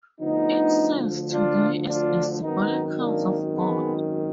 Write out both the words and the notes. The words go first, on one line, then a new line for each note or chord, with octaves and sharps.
It serves today as a "Symbolic House of God".
D2 D3 F3 B3 D#4
D4 F4
D4 F4
G#1 F#2 D#3 B3 D#4
A#3 D4
G#3 B3